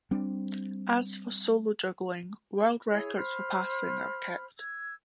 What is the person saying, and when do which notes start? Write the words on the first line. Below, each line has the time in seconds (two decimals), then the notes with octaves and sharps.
As for solo juggling, world records for passing are kept.
0.11 G3 C4 D4
2.89 E4 G#4 C#5
3.16 C5 B5 F6
4.59 E6 G#6